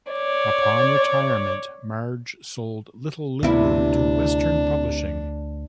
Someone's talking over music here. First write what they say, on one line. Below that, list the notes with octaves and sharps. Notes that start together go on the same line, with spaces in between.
Upon retirement, Marge sold "Little Lulu" to Western Publishing.
C#5 D5
D2 C3 B3 D4 E4